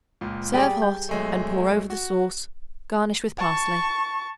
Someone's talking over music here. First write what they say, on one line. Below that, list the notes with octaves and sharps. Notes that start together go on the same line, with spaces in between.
Serve hot, and pour over the sauce; garnish with parsley.
C#2 A#2
G3 G#4 D5
G6
B1 G#3 A3
F#4
A5 C#6